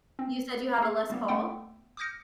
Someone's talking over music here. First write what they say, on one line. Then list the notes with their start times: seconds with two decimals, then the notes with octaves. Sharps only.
You said you have a Les Paul?
0.19 C4
0.78 A#3 G#4
1.10 G3 A#3 B3
1.28 A3 B3 A4 F#5 G5
1.97 D6 D#6 F6 G6 A#6 C#7